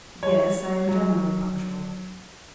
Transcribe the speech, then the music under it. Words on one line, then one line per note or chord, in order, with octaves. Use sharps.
"Yes, I am generally punctual."
C#5
F#3